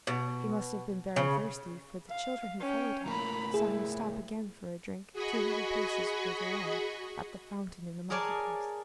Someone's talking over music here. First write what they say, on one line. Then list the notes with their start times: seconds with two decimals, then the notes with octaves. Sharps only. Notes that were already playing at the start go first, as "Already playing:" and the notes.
He must have been very thirsty: for the children who followed him saw him stop again for a drink, two hundred paces further on, at the fountain in the market-place.
0.07 B2
1.16 C#3
2.10 F5
2.61 C#4 G5
3.06 A2 A#3 A#5 B5
3.54 E4 G#4
5.12 F#4 G#4 D#5 B5 C#6
8.10 G#4 A#4 C#5 D5 G#5 A5